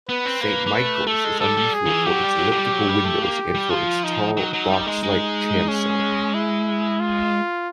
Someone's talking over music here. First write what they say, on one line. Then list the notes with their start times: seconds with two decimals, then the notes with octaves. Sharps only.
Saint Michael's is unusual for its elliptical windows and for its tall, box-like chancel.
0.09 B3 B4
0.25 C4
0.41 A#3 B4
0.67 A#3
0.74 A3
1.07 A3 A4
1.24 G#3
1.40 G3 A4
1.57 G3
1.73 G#4
1.86 D#3
1.90 E3
2.06 F#3 G4
2.23 G3
2.38 F#3
2.52 F#3
2.56 G3
2.72 F#3
2.88 G3
3.04 A3
3.22 A#3
3.55 G3
3.70 F3 F4
4.04 D#4
4.37 F#3
4.53 F#3
4.70 G3
4.86 G#3
5.03 G#3
5.68 C#4
6.34 E4
7.00 F4